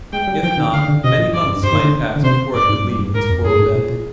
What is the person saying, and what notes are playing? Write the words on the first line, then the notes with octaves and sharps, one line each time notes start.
If not, many months might pass before it could leave its coral bed.
G#3 G5
G3
F3 G5
D#3
D3 F5
D3
C3 D#5
A#2
G2 D5
G2
G2 C5
D#3
D3
D3
C3 C5
G#2 D5
G#2
G2
G2
G#2 A#4
F2
G2 G#4
G#2
A#2
A#2